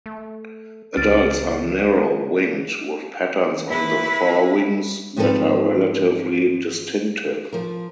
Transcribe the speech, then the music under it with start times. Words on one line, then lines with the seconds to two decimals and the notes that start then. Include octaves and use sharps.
Adults are narrow winged with patterns on the forewings that are relatively distinctive.
0.06 A3
0.97 C#2 F6 A6 D7
1.95 G#3
3.68 E4 B4
5.16 G#2 F3 B3 C4 A4 B4
7.53 F3 A#4